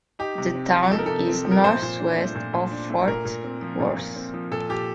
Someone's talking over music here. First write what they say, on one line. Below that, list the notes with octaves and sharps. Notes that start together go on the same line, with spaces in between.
The town is northwest of Fort Worth.
D#4 G4
C3
C4
F3
D#4 A4
A#4
C3 A4
C4
F3
A#4
A#2 C5
A#2
D4
A3
A#2
A#2
D4
A3
A#2 A#4
A#2
C4
F3
A#2
A#2
C4
F3
A#2 A4
A#2 G4